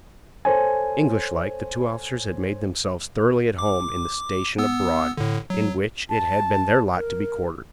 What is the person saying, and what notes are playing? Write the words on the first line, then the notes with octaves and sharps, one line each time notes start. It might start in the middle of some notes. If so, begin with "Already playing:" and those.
English-like, the two officers had made themselves thoroughly at home in the station abroad in which it had been their lot to be quartered.
A4 C5 C#5 G#5
D6
B3 E6
A2 D3
F#3
A5
A#4